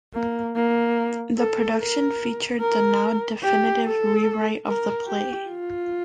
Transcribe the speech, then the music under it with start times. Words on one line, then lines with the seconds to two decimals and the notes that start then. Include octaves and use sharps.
The production featured the now definitive rewrite of the play.
0.14 A#3
0.56 A#3
1.38 A4
1.79 A#4
2.61 A#4
3.43 G4
3.85 A4
4.66 A#4
5.07 G4
5.48 F4